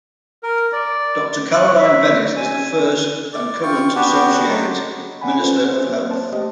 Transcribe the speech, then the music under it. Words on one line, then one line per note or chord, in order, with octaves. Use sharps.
Doctor Carolyn Bennett is the first and current associate minister of health.
A#4
D5
F#6
E5
G#5
D5
F4 G5 C#6
B3 D4 F#4 G4
F#3 G#3
D5 F#5 G#5 B5
C#4 F4 A4 B4 C5
C4 C5
A#3
C5 A5
A3 G4 D#5